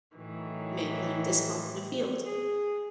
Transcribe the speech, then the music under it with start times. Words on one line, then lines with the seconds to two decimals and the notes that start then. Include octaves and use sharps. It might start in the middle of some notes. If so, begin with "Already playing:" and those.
Man playing disc golf in a field.
0.16 A2 D#3 E3 F#3
2.26 G#4